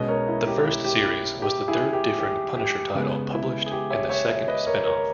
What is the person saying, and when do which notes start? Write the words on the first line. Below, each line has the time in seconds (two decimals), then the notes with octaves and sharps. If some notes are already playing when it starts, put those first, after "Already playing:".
The first series was the third different Punisher title published and the second spin-off.
Already playing: B2 G#3 C#4 B4 D#5
0.08 A#4 C#5
0.28 E4
0.47 G4
0.65 E4
0.84 G4
1.04 E4
1.42 G4
1.68 E4 G#4
1.93 G4
2.19 G4
2.57 G4
2.95 C#3 G#3 B3
3.33 E4
3.66 G#4
3.72 G4
3.91 C#5 E5
4.09 C#5 E5
4.29 C#5 E5
4.48 B4 D#5
4.66 A#4 C#5
4.86 A#4 C#5